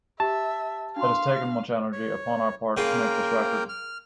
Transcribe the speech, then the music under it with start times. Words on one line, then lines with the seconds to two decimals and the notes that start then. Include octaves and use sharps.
It has taken much energy upon our part to make this record.
0.20 G4 E5 A5
0.96 D4 F#4 F5 C6
1.92 C#5
2.77 C#3 A#3 F4 A#4 G5
3.69 F6